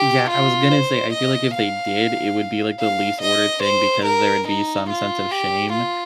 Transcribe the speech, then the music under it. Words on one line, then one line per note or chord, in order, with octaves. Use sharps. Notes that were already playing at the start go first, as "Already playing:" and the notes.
Yeah, I was gonna say, I feel like if they did, it would be, like, the least ordered thing because there would be some sense of shame
Already playing: G4
F4
C5
D#5
F5
F5
D#5
C5
A#4
D#4
F4
G4
F4